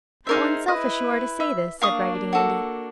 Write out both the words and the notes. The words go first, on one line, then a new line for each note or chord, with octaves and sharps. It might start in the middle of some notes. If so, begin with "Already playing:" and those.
"How unselfish you are to say this!" said Raggedy Andy.
D#4 G#4 A#4 C5 E5
E4 B4 D#5
E5
A#3 D4 F5 C#6 D#6
F#4 A4